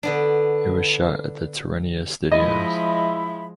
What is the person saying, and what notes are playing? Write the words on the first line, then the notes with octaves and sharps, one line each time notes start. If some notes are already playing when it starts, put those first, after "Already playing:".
It was shot at the Tirrenia Studios.
D3 B3 D4
F3 G#3 E4 D#5 E5 B5